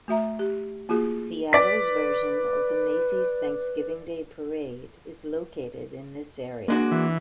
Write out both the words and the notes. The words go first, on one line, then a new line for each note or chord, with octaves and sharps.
Seattle's version of the Macy's Thanksgiving Day Parade is located in this area.
A3 F#4 E5 A#5
G4
A#3 F4 F#4 G#4
B4 D5 B6
G#3 A#3 D4 F#4
E3